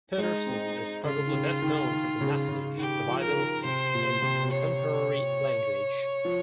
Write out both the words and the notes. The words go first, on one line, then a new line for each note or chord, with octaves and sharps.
Peterson is probably best known for The Message: The Bible in Contemporary Language.
G#3 D#4
C4
C#3 F4
D#3
C#3
D#3
D#3
C#3
C#3
D#3 G4
F3
A#4
D#3
C3 C5
A#2
C3
C#5
F3